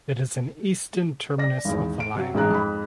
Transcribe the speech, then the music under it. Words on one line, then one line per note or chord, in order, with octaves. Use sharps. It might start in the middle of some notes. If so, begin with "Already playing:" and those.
It is an eastern terminus of the line.
D5 A#6
G#1 E2
D7
C3 F#3
A1 G#2 G#3 C4 A#5 F#6
F2 G#2 B5